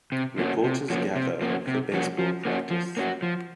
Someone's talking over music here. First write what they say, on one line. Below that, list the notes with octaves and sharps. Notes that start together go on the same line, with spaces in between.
Reporters gather for baseball practice.
C3
F3 A#3 C#4 F#4
C3
F3 A#3 C#4 F#4
C3
F3 A#3 C#4 F#4
C3
F3 A#3 C#4 F#4
F3
A#3 C#4 F#4
F3
A#3 C#4 F#4
F3